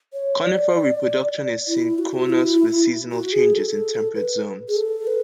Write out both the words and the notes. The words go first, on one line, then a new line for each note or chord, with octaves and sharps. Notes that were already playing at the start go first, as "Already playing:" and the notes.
Conifer reproduction is synchronous with seasonal changes in temperate zones.
C#5
D5
E4
F#4
E4
F#4
G#4
A4
B4
G#4
A4
B4